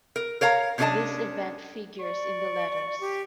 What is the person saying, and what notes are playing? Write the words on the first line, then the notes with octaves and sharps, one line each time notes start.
This event figures in the letters.
A#4
A#4 C#5 F5 A#5
C3 C#4 D4 G#4 D#5 A5
D5 C#6
G4